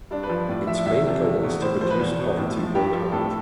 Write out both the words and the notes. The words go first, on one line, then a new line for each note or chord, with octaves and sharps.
Its main goal is to reduce poverty worldwide.
G2 D4
B4
F3
A2 D5
F3 E5
E2 E5
C3 F3
E2
B2
A2 C5
F3 C5
B4
E2
B2
A2
F3
G2 G4
F3
A2 A4